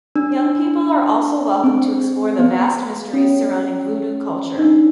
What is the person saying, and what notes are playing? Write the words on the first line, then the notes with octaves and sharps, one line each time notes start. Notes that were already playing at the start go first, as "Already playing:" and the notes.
Young people are also welcome to explore the vast mysteries surrounding Voodoo culture.
D4
C4
B3
C#4
D#4
D4